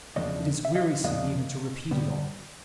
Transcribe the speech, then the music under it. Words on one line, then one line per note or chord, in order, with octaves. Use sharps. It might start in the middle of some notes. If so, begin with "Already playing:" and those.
It is wearisome even to repeat it all!
E2 C#3 F3 A#3 D4 C#5 D#5
E5
D#5 F5
E2 C#3 F3 A#3 D4 D#5 F5
D3 G3 B3